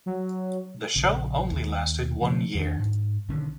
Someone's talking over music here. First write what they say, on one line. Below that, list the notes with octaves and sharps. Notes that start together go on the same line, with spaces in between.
The show only lasted one year.
F#3
A#1 C#3
D#2
C#3 F3 A3 C4
E2 D#3 D4
G#2
B1 D3 D#3 C#4